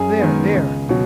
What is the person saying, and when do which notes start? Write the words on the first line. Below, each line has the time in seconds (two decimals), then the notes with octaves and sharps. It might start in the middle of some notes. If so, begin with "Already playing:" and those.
There, there!
Already playing: F#2 G#4 G#5
0.19 D#3 G#3 B3
0.54 C#2
0.89 B2 F#3